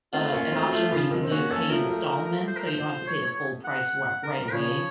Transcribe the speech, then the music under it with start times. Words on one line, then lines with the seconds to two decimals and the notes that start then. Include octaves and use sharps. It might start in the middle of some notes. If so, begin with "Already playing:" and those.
uh, an option where you could do pay installments, so, you don't have to pay the full price r right away
0.13 A3 C4 F4
0.33 A#3 C#4
0.53 A3 C4
0.63 F#3
0.72 F3 A3
0.92 C#3 F3
1.11 C3 D#3
1.23 C4
1.31 A#3 C#4 F#4
1.50 A#3 C#4 A4
1.70 F3 A3 A#4
1.81 F#3
1.89 F3 A3
2.47 C5
2.57 A#4
2.67 C5
3.07 C#5
3.26 C#5
3.65 F#5
4.23 A#4
4.52 C#3 F3 C#5